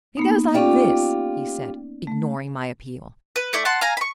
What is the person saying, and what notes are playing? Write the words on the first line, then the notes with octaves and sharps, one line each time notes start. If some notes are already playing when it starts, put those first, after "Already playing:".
"It goes like this," he said, ignoring my appeal.
A#3 B3 D#4
C#4 F4 G4 D5
A3
B4
A3 E4 D5
F#5 A5 C6
F5 G#5 A#5
B5 C#6